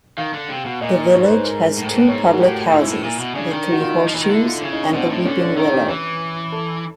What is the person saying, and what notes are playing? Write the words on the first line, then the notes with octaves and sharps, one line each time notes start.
The village has two Public Houses - The Three Horseshoes, and The Weeping Willow.
D#3 F5
D3
C3
B2
A#2 D#5
D#5
G#2 C#5
B4
C5
A#4
A2
G#2 A#4
A2 B4
G#2 C#5
A#4
F#4
A2 G4
G#2 E4
A2
A#2
B2
C#3 D4
D#3
F#4
F4
E4
D#4
F3
E3 D#4
D#3
D3 E4
F4
C#3 E4
D#4
D4
B2 C4
A2
D3 C#4
D4
D#3 E4
G4
E3
A4